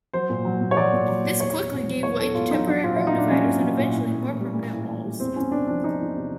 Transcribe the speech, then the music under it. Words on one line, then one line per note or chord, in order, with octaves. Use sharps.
This quickly gave way to temporary room dividers and eventually, more permanent walls.
F#3 C5
A#2
F#3
A#2
C#5
F#3 D5
A#2
F#3
A#2
E2 C#5
E2
B2
F#3
E2 C#5
E2 A4
B2 F4
F#3 D#4
F#3 D4
A#2 F4
F#3 E4
D#4
A#2 D4
F#3 C#4
A#2
F#3
A#2
A2
A2
E3
G3
A2
A2
E3
G3
E2 C4
E2 C#4
C3 D4
F3 D4
E2 D#4
E2
C3